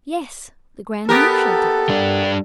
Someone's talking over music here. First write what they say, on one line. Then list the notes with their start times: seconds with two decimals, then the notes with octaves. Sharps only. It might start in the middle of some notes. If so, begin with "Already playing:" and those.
"Yes; the grand marshal did."
1.09 B3 G4 A4 A#4
1.89 G3 D4